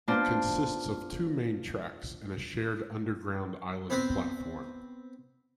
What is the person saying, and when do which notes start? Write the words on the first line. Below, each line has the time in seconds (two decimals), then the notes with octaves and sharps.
It consists of two main tracks and a shared underground island platform.
0.08 A#3 B3 D4 F4 C5 D5
3.90 B3 C4 B4 C5